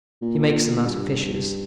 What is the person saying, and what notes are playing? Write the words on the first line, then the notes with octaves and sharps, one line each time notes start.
He makes them out of fishes.
A#2
G2